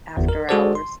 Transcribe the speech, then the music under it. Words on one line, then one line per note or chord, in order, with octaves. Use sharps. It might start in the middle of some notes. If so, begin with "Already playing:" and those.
after hours.
G1 E2
A#4
G#3 F#4 G#4 A4 C5 D5
C6